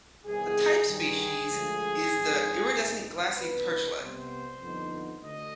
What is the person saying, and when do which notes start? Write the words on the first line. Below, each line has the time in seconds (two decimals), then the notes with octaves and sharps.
The type species is the Iridescent glassy perchlet.
0.25 C2 C3 D#3 G3 B3 G#4
0.87 G2 D#3 G3 G#4
1.49 D2 D3 F3 G#3
2.11 G#2 F3 C4 D#4
2.74 G#2 D#3 G#3 C4 D#4
3.36 C2 B2 B3 D4 B4
3.98 C3 G3 B3 C5
4.61 F2 D3 G3 B3 D#4
5.22 D2 D3 D#5